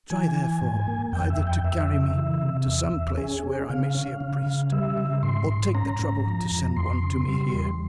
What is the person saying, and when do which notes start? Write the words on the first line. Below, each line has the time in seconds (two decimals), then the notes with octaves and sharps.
Try, therefore, either to carry me to some place where I may see a priest or take the trouble to send one to me here.
0.10 E3 G#5
0.36 E3
0.61 G#2
0.88 A#3
1.12 F2 G5
1.30 E5
1.38 F2
1.47 G5
1.64 F2 E5
1.89 C#3
2.15 E3
2.42 C3
2.66 E2 E5
2.92 E2
3.17 C#4 G#4
3.43 C#4
3.69 C#3 F5
3.95 C#4
4.20 C#3
4.46 C#3
4.72 G3 E5
4.98 C#3
5.23 G#2 C6
5.49 G#2
5.75 C#4 A#5
6.00 G#2
6.26 F3
6.51 F2
6.77 F2 C6
7.03 C#3
7.28 G3
7.54 E2